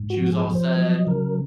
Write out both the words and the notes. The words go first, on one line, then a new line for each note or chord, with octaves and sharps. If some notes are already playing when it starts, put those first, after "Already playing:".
she was all sad,
Already playing: G#2
F#4
F3
G#4
F3
C5
F#3 D#5
C#3 A#4